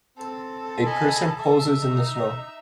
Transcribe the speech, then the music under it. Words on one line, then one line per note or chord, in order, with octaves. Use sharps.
A person poses in the snow.
C4 A4
D#5 G#5 B5
E5 E6
D#4